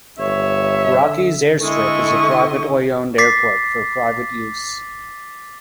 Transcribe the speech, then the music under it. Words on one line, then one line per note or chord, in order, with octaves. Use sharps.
Rockey's Air Strip is a privately owned airport for private use.
G1 C#5 E5
D3
D3 G#3 E4 A4 D#5 C#6
D6 A6 B6 C7